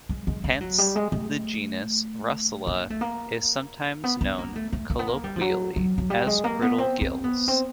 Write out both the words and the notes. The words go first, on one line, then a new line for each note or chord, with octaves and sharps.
Hence the genus "Russula" is sometimes known colloquially as "brittle gills".
G#3
G#3
G#3
F#3
G3
G#3
A3
A#3
A3
A#3
B3
B3
A#3
A3
A3
A#3
B3
A#3
G3
F3
F#3
F#3
F#3
G3
G#3
A#3
B3
C4
C4
B3
C4